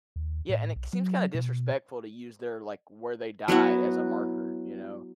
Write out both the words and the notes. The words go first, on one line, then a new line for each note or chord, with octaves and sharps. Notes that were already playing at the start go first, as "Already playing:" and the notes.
Yeah, and it seems kinda disrespectful to use their like, where they died as a marker, you know?
D#2
A2
B1
F#3
B2
F#3 B3 E4 F#4